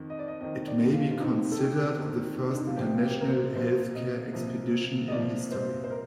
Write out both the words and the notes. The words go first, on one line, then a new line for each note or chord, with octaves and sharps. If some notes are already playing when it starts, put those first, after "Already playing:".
It may be considered the first international healthcare expedition in history.
Already playing: F2 D#3
D#5
D5
D#5
F2 D#3 D#5
D5
F4
F4
F2 D#3 D#4
A4
G4
F2 D#3
D4
D#4
F4
C2 A#2 F3 G4
F4
G4
A#4
C5
C2 A#2 F3 C5
D#5
C2 A#2 F3
D#5
C2 A#2 F3 D5
C5
C5
A#4